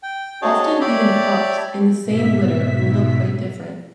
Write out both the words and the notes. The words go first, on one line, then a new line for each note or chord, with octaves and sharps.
Often even pups in the same litter will look quite different.
G5
D4 F#4 G#4 C#5 D#5 A5
G4 C#5 D5 E5 A5 B5
G#2 B2 E5 B6